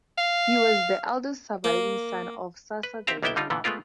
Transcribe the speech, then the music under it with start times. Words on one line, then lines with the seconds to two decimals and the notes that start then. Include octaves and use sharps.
He was the eldest surviving son of Sarsa Dengel.
0.18 F5
1.64 A#3
2.83 B4
3.07 C4 G4 E5 F5 A#5
3.23 B1 A#3 B3 E4 E5 G5
3.36 D3 G3 D#4 F4
3.50 A#2 D3 E3 B3
3.64 G#3 A3 B3 F4 A#4